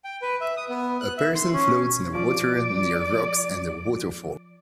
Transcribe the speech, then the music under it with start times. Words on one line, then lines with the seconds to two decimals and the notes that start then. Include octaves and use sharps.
A person floats in water near rocks and a waterfall.
0.04 G5
0.22 B4
0.41 E5
0.57 D#6
0.69 B3
1.01 F#6
1.18 E5
1.35 C6
1.53 C#4
2.15 F3 D5